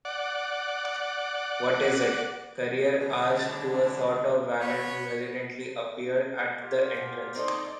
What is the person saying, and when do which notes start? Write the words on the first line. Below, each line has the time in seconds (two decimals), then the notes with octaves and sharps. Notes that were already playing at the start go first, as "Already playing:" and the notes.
What is it? Carrier asked to a sort of valet who hesitantly appeared at the entrance.
0.05 D5 F#5
2.98 B2 D3 F#3 G#3 D4
4.61 B3 C#5
6.61 F4 G4
6.95 G#2 B2
7.35 C4 D#4 A4 D5 D#5 C6 D6